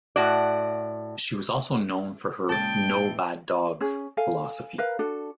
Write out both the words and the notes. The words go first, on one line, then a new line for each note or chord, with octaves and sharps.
She was also known for her "no bad dogs" philosophy.
A2 F#4 D5
A#2 C#3 G#3 G5 A5 A6
A#2 E3 G#3
C#4 G#4
A4 F5 G#5
A#4 B4 F5
D4 F#4 A4